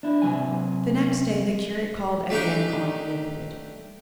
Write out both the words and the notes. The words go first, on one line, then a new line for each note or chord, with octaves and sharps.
The next day the curate called again on Leopold.
D4 E4
C3 F#3 G#5
A3 D4 D#4 G4